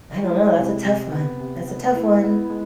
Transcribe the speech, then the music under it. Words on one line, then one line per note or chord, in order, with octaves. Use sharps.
I don't know. That's a tough one. That's a tough one,
F4
G#3 E4
C3
C3
B3
C3
B3
B3 E4
B3
G#3